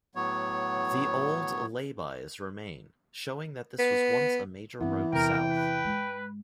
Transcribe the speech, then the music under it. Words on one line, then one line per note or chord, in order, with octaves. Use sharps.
The old lay-bys remain, showing that this was once a major route south.
A2 F#3 B3 C#5
B3
G2 E3 B3 C4
E2 C3 A#4 G5
B4
G#2 G#3